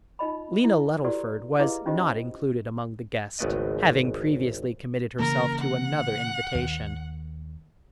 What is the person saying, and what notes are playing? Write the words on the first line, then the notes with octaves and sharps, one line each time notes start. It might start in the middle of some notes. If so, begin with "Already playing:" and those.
Lena Luddleford was not included among the guests, having previously committed herself to another invitation.
D#4 F4 D#5 B5
E4
E4 F#4 G4 A4 B4 D5
E4 G4 G#4 B4 D#5 F5
C#4 D#4 F4 G4 C5 D#5
G#1 C#2 A3 B3 D5 D#5
C#3 E3 A#3 A#4
F#5
D#2